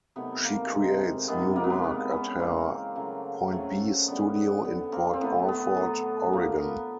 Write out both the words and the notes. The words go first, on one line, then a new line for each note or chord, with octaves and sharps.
She creates new work at her Point B Studio in Port Orford, Oregon.
C3 D#3 F#3 A3 B3
A#3
C3 D#3 G#3
C3 D#3 G#3 B3
A#3
B3
A#3
C#3 E3 G#3 B3
B3 C#4
C#3 E3 G#3 A#3 C4
C#3 F#3 A3
C#3 F#3 A3
D3 G3 B3
B3
D3 G3 B3
A#3 C4
C4
A2 F#3 A3 B3
B3
A2 F#3 A3
A#2 F3 A3 A#3
A#3
B3